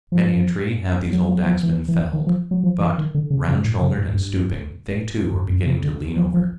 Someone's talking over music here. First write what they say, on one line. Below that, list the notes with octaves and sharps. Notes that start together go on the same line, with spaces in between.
Many a tree have these old axemen felled, but, round-shouldered and stooping, they too are beginning to lean over.
F3
F#3
F#3
F3
E3
E3
D#3
F3
F#3
F3
E3
D#3
D3
C#3
C#3
A2
C#3
G#2
G2
G2
F#2
C3
D3
F3
F3